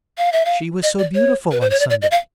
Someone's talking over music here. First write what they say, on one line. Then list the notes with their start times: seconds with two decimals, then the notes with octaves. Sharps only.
She was so beautiful on Sunday.
0.18 F5
0.33 E5
0.45 F5
0.83 D#5
0.99 D5
1.15 C#5
1.52 B4
1.61 C5
1.70 C#5
1.80 D5
1.90 D5
2.02 D#5
2.11 F5